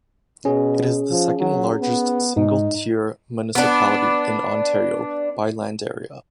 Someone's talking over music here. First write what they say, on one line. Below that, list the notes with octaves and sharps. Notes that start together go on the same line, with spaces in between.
It is the second largest single-tier municipality in Ontario by land area.
B2 C#4 G#4
F3
F#3
B3
G#2 D#4
B3 D4